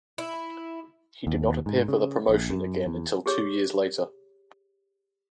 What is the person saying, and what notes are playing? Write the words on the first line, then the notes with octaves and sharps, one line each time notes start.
He did not appear for the promotion again until two years later.
E4
D#2
G#2
C#3
A#1
F#2
E2
G4 G#4 C#5